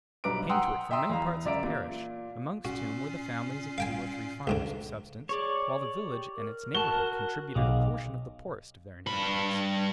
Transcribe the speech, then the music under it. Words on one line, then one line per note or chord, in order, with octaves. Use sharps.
People came to it from many parts of the parish, amongst whom were the families of two or three farmers of substance, while the village and its neighbourhood contributed a portion of the poorest of the inhabitants.
B1 G2 B4 A#5 D6 D7
F#5 G5 A#5 C6 D#6 E6
E5 G5 A#5 C6 D#6 E6
E2 F5 A#5
C#2 D5 E5 A#5 D7
A#2
A#2 C#4 F#4 C7
F5 G5 G#5
C#2 G#2 D3
G#4 C#5 D5
G4
A#4
F#4 A5 G7
B1 G#4 A#4 F5 D6
G2 B5